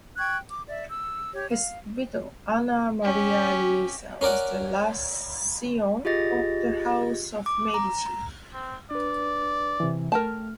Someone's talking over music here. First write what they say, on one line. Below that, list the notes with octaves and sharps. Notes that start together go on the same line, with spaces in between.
His widow Anna Maria Luisa was the last scion of the House of Medici.
G5 C#6 F#6 G#6
D6
D5 E5
E6
G4 C#5
F5
C#4 G4
C#4 A#4 D5 F#5
F4 G4 G#4 D#5 A6 A#6
D6
A#5
C4
D4 B4 D5
C3 E3
A3 A#4 G5 A5 F6